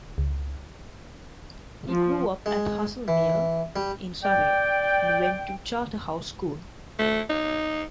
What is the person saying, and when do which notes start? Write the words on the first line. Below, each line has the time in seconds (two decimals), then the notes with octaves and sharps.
He grew up at Haslemere in Surrey and went to Charterhouse School.
0.18 C#2
1.88 F3
2.46 G#3
3.08 E3
3.76 G3
4.23 D5 G5
6.99 A3
7.29 D#4